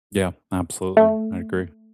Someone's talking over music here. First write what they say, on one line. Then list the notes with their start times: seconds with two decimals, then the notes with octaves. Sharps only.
Yeah, absolutely, I agree.
0.97 A3